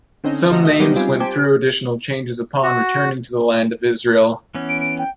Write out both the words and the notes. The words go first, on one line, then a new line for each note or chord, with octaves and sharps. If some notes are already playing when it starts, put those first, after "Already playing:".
Some names went through additional changes upon returning to the Land of Israel.
D3 C4 C#4 D#4
D2 A3 F#4 D#5 A#5
D#4 A4 D#5 E5
F#3 G3 B3 C#4 D#4 G4
G3 C4 F4 G#5 D7
G4 C5 G#5 A5 D6
F#4
E3 B3 C#4
D7
D7
G5